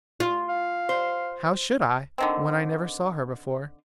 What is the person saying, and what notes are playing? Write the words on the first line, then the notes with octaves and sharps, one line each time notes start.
"How should I, when I never saw her before?"
F4
F5
C5
D3 D#3 C4